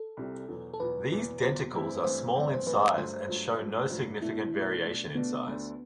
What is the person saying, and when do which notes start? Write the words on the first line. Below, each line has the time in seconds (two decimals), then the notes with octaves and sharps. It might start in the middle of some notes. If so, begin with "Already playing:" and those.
These denticles are small in size and show no significant variation in size.
Already playing: A4
0.17 C2 C3 G3
0.49 E2 B2 F#3
0.74 A4
0.80 E2 B2 F#3 B4
1.10 E2 B2 F#3
1.42 E2 B2 F#3 C5
1.73 G2 E3 A3 C4 E4
2.04 G2 E3 A3 C4 E4 C5
2.35 G2 E3 A3 C4 E4 D5
2.53 C5
2.66 G2 E3 A3 C4 E4 B4
2.82 C5
2.97 G2 F#3 A3 C5
3.28 G2 F#3 A3
3.59 G2 F#3 A3
3.90 G2 F#3 A3
4.21 B2 A3 D4 E4
4.54 B2 A3 D4
4.85 B2 A3 D4
5.15 B2 A3 B3 D4
5.47 D2 D3 A3 D4